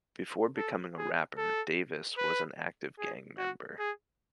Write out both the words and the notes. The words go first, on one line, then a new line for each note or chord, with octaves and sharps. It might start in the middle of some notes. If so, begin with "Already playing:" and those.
Before becoming a rapper Davis was an active gang member.
A4
G#4
A4
B4
G#4
F#4
G#4